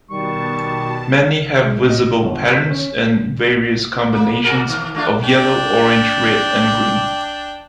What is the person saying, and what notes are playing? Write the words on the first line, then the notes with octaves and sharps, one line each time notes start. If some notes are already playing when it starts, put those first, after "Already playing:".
Many have visible patterns in various combinations of yellow, orange, red and green.
B2 D#3 G3 A5 C#6
G#3
D#5
G1
B6
C#4
A#3
A#2 F#4 A#4
D#3
A3 D4 F4
D4 G5